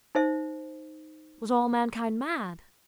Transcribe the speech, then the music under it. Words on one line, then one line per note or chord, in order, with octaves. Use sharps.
Was all mankind mad!
D#4 C5 E5